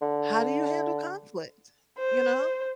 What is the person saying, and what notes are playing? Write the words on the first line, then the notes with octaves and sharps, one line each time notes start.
How do you handle conflict, you know?
D3
C5